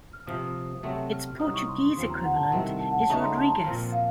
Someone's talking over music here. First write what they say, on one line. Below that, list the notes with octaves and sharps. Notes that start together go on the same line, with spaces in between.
Its Portuguese equivalent is Rodrigues.
F6
C3 F3 C4 D#6
C3 F#3 A3 C4
F6
C2 C3 F#3 C4 D#4 D#6
C#6
C6
C6
D#2 C#3 F3 C4 F4 C6
A#5
F#5
A5
F#5
C2 C3 D#3 A3 C4
A5
F#5
A5
C#3 A3 D#4 F#4 A#5
C6
A5
A#2 F3 C4 F4
F5